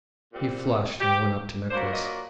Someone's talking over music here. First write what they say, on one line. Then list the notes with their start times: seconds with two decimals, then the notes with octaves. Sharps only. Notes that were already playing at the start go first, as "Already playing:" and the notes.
He flushed and went up to Nicholas.
0.30 A#2 G3 C4
1.00 G4
1.70 A#2 F#3 A#3 D4 C5
1.93 D#5